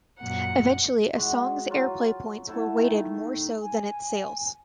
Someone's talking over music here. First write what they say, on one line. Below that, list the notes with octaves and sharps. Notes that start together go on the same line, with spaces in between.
Eventually, a song's airplay points were weighted more so than its sales.
F#2 A#2 F#5
G#3 F#4
F#3 F4
A3 E4 F#5 A5
D#3
G#5